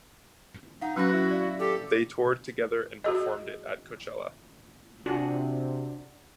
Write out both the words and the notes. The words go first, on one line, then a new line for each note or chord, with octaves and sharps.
They toured together and performed it at Coachella.
D#4 F5 F#5
F#3 C#4 F#4 B4 F#6 A#6
E4
D5 F5
G4 A4
F#4 G#4 D#5
C3 D4 F4 F#4 G#4 F#5